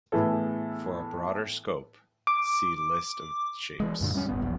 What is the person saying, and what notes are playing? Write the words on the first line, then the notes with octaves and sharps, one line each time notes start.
For a broader scope, see list of shapes.
A2 E3 B3 E4 G#4 A4
D6
E3 G#3
F#2 A#2 D3
G3 C4 C#4
D1 G1 G2 B3
E1 A#1 E2